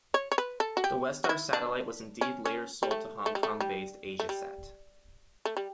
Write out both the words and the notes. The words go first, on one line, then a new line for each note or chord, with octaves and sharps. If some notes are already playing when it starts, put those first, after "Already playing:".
The Westar satellite was indeed later sold to Hong Kong-based AsiaSat.
C#5
C#5
B4
A4
F#4
G4
F#4
E4
D4
C#4
C#4
G3
A3
A3
G3
A3
G3
A3
G3
A3
G3